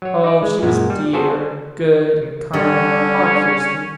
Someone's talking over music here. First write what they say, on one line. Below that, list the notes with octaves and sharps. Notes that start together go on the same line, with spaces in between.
Oh! she was dear, and good, and kind, our Kirsty!
F#3 C#5
D#4 D5
G#3
F#2 A#2 G#3
G3
B3 F4 F#4 G#4 A4 C5
D3 G3 C#4 D4